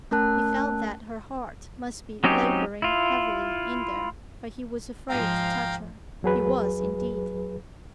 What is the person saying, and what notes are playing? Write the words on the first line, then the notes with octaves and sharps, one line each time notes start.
He felt that her heart must be laboring heavily in there, but he was afraid to touch her; he was, indeed.
A3 C#4 A#4 A5 F#6
F#3 C4 C#4 D#4 G4
E4 F4
G#2 F3 F5 G5 A#5
E2 F#3 G#4 B4